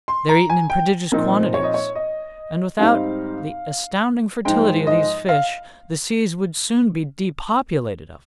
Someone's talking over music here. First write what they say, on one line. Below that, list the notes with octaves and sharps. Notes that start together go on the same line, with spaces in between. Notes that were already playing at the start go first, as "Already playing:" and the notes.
They're eaten in prodigious quantities, and without the astonishing fertility of these fish, the seas would soon be depopulated of them.
C6
A#5
G#5
G5
A#2 F3 C4 D#4
C#5
D#5
C#5
D#5
G#2 G3 C4 D#4 F5
G#2 F3 G#3 D#4 G5
D#5
F5